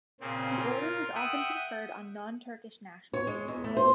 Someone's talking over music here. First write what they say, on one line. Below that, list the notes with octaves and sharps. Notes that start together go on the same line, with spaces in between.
The Order was often conferred on non-Turkish nationals.
A#2 C#3 C4
F4 A#4
E5 F#5 G5 D#6
C#5
G#3
E2
A3
C5